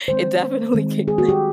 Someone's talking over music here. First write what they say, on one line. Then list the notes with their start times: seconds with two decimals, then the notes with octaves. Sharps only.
it definitely kicked in.
0.08 D#3 G#3 C4 C5
0.74 D#3 G#3 C4
1.08 G#4
1.18 F#4
1.29 G4